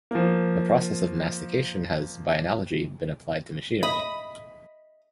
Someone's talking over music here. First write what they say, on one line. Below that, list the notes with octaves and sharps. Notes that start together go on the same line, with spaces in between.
The process of mastication has, by analogy, been applied to machinery.
F3 A#3
D#5 B5